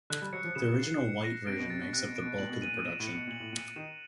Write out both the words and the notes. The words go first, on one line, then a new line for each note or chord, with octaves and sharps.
The original white version makes up the bulk of the production.
D3 F#6
G3
F#3 C#7
F3
C#3 E7
C7
C#7
A#6
C3 D7
B2
C3 A6
B2
C3 F#6
B2
D7
B2
A#2 F#7
B2
A#2 D#7
A#2
B2 E7
A2
C#7
B2
A#2 F#7
A2
A#2 C#7
D#3 E7